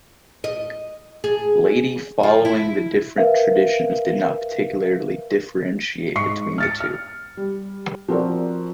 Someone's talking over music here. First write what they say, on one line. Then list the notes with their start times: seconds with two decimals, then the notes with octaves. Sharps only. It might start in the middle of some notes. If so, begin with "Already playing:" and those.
Laity following the different traditions did not particularly differentiate between the two.
0.44 D#5
1.24 G#4
2.23 F3
2.45 E4
3.18 A#4 B4 E5 F5
6.16 G#2 C#6 C7 C#7
6.58 F6 A6 C#7
6.80 F6
7.37 G3
8.08 F3 C4 F#4 A#4 D5